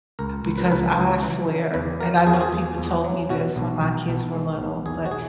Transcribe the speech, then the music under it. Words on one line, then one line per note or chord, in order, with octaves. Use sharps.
because I swear, and I know people told me this when my kids were little, but
C#2 A#4
C#2
B4
A#4
C#2 B4
C#2
E3
C#3
E2 B4
F#3 A#4
E2 G#4
F#4
G#4
E2 G#4
E2
F#4
F#3
B2 F#4
B1
B1
B1
G#3
B1
E2 G#4
F#4
G#4